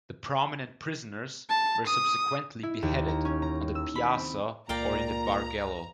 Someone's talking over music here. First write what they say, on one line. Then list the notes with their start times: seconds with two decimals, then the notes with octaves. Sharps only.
The prominent prisoners were subsequently beheaded on the Piazza or in the Bargello.
1.49 A5
1.87 D#6
2.63 E4
2.83 D#2
3.08 A#5
3.25 C#4
3.42 A#5
3.75 E6
3.96 B5
4.17 C4
4.69 C#2 A#2 D5 F5 G5 A#5